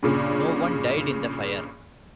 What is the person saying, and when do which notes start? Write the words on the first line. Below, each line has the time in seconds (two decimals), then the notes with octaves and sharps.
No one died in the fire.
0.03 G2 A#2 C#3